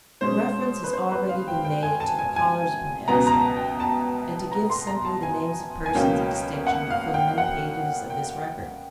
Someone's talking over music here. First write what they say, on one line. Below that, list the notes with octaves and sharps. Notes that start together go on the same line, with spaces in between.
Reference has already been made to the callers upon Edison; and to give simply the names of persons of distinction would fill many pages of this record.
B2 G#3 C#4 C5
B4
C5
B4
F5
G5
G5
G#5
A5
G#5
G#5
C#2 B2 F#3 B3 A#5
A#5
A5
G5
A5
A#5
C6
A#5
A5
G#5
G#5
C#2 B2 F#3 A#3 C#4 G5
F#5
F5
G5
F#5
G5